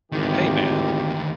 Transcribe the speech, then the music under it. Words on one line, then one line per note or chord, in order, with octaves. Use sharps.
Hey man!
G#1 D2 D#3 E3 G4